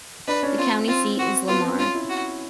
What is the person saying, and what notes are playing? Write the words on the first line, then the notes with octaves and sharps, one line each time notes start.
The county seat is Lamar.
D4 B4
C#4
C4 F4
C4 F4
F#4
B3 F4
C4
C#4 F4
E4
F#4